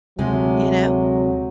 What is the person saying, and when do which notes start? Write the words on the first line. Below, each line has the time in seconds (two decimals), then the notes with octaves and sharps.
you know.
0.19 D2 C3 F#3 G#3